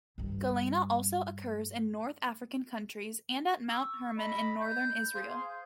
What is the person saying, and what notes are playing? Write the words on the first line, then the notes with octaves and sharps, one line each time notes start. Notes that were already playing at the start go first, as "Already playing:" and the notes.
Galena also occurs in North African countries and at Mount Hermon in Northern Israel.
G2 G3
C#6 E6
D#5 A#5 B5
G6
G#4 C5 F5 C6